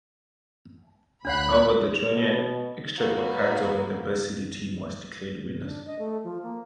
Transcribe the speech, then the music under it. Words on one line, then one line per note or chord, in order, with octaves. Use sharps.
However the Torneio Extra was cancelled and the best seeded team was declared winners.
D2 D4 C#5 F#5 B5 F#6
B2
A#3 F#4 B4
D4
D#5
A3
F3
A#3